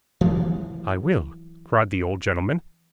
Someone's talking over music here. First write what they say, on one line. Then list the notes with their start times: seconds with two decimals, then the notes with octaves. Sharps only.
'I will!' cried the old gentleman.
0.21 E3 F#3 G#3